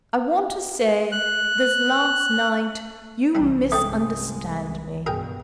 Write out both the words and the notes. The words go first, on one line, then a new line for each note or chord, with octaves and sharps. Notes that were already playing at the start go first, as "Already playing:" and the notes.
I want to say--this last night--you misunderstand me.'
F#6
B1 C3 E3 G3 D4
G1 C2 G#3 A3 G5 D#6
C#2 G2 B2 G#4 A#4 G5